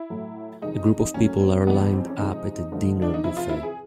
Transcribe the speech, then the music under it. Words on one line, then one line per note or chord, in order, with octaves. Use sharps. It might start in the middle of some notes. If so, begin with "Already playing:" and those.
A group of people are lined up at a dinner buffet.
Already playing: E4
A2 F#3 A3
F2 C3 D#3 G#3 D#4
A#2 F#3 A3 C#4
C4
F2 C3 E3 G#3 B3
B3
C4
C#4
C3 F3 G#3 D#4
G2 D3 F3 A3
D4
D#4
E2 C3 F3 E4
F4
E4
G#4